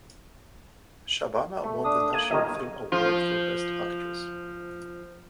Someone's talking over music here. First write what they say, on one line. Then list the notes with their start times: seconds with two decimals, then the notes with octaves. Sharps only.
Shabana won the National Film Award for Best Actress.
1.64 A3
1.85 D4 D#6
2.13 A#3 G#6 D#7
2.31 G1 D#3 D#5
2.92 F3 F4